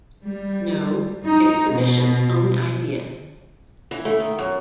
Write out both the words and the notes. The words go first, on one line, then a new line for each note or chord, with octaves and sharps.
No, it's the Bishop's own idea.
G3
D#4
B2
E3
A3
D#3
F#2